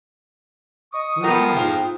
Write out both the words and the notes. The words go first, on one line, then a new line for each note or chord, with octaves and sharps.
Where's mama?'
D#5 C#6 D#6
F3 B3 A#4 G5
G#2 D#4 F4 F5